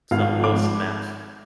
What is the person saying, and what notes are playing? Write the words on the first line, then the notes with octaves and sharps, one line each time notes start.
some most of map f
G#1 F5
F3
D6
G#2